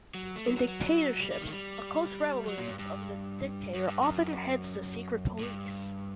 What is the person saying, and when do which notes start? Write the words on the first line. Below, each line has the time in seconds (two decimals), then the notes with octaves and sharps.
In dictatorships, a close relative of the dictator often heads the secret police.
0.15 F#3
0.36 A3
0.46 F#3
0.57 F#3
0.68 F#3
1.20 G3
1.31 G3
1.41 D#3
1.47 A3
1.52 G3
2.47 F#3
2.58 A#2
2.68 G2
2.79 G2
3.74 F#2
3.88 G2
4.02 F#2
5.39 A2
5.43 G2